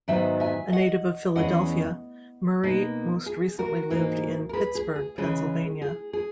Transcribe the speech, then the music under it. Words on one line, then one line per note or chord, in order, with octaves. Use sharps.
A native of Philadelphia, Murray most recently lived in Pittsburgh, Pennsylvania.
G#2 D#3 F#3 B3 D#4 E5 G#5
E5 G#5
D#5 F#5
E2 C#3 G#3 C#4 E4 D#5 F#5
B2 A#3 D#4
G#4
F#4 A#4
G#2 E3 A#3 D#4
A#4
G#4 B4
G#4
G#4
C#3 E3 G#3 G#4
G#4
G#4